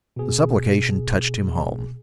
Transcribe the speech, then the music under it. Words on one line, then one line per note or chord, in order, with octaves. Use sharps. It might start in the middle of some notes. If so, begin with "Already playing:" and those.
The supplication touched him home.
B2 G#4